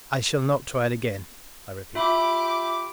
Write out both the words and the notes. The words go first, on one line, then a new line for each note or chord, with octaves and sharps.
"I shall not try it again," I repeated.
F4 G4 E5 B5 D6